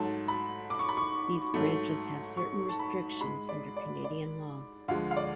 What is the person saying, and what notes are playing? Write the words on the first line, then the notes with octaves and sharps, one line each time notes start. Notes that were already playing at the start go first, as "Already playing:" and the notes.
These branches have certain restrictions under Canadian law.
Already playing: G#2 F#3 A3 A5
B5
D6
C#6
B5
C#6
G#2 F#3 A3
C#6
A5
B5
G#2 G#3 B5
D5
D5
D5
D2 D3 F3 G#3 F5
F5
D5